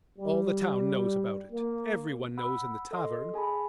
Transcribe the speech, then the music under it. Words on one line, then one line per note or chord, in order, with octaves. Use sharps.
All the town knows about it--every one knows in the tavern.
G3
A#3
F#5 B5 E6
A4 D#5 C6
G#4 G#5 A5 B5